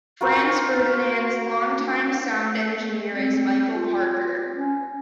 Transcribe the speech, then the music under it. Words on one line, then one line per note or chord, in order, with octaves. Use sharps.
Franz Ferdinand's longtime sound engineer is Michael Parker.
F4 F#4 A#4 C#5
C4
F4
C#4